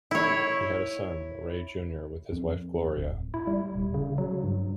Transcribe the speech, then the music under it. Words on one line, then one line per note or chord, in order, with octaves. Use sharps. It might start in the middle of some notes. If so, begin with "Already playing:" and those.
He had a son, Ray Junior with his wife Gloria.
E4 C#5
F2
D1
E4
G3
D#1
C#3
F#3
G2